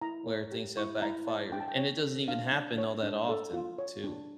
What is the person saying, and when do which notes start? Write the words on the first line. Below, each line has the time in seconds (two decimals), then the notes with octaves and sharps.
where things have backfired, and it doesn't even happen all that often too.
0.02 E4 A#5
0.27 C#5
0.52 G4
0.77 E4 C#6
1.02 E4 A#5
1.27 C#5 A5
1.52 D4 G5
1.60 A5
1.68 G5
1.78 C#5
2.02 A4
2.28 D4 F5
2.53 D4
2.78 C#5
3.03 D4
3.29 A4
3.54 F4
3.78 C#5
4.04 D4